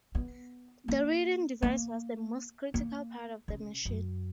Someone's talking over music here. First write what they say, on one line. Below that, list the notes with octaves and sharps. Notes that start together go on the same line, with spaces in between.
The reading device was the most critical part of the machine.
B3
A#3
A#3
A#3
C#3
F#2